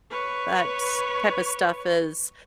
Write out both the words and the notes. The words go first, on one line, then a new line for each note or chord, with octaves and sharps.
that's type of stuff is
B4 C#5